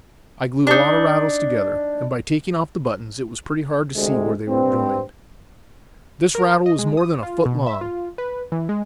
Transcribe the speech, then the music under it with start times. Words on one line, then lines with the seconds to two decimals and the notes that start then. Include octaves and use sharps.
I glued a lot of rattles together, and by taking off the buttons it was pretty hard to see where they were joined. This rattle was more than a foot long.
0.67 D4 D#4
3.95 D2 C3 G#3
4.48 G2 C4
6.35 A#4
6.66 D#5
6.79 G#3
6.97 D#6
7.23 F4
7.46 B2
7.67 E5
7.81 F4
8.18 B4
8.52 E3
8.69 G#3